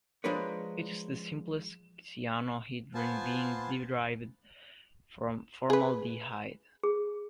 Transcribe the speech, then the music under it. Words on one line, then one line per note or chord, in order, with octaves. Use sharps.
It is the simplest cyanohydrin, being derived from formaldehyde.
F3 G#3 D4 A#4 B4 C#5
B3 F4 C5 G#5 A5
G#4 B4
G#4